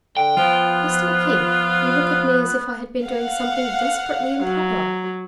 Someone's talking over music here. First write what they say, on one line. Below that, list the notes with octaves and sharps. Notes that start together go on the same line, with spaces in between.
Mr McKeith you look at me as if I had been doing something desperately improper.
D3 G5
F3 B3 F4
F5 F#5
F#3